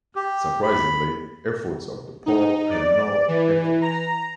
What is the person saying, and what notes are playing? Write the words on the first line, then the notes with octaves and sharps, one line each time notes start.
Surprisingly, efforts of the pope had no effect.
G4
B5
D#4
D5
E3
A#5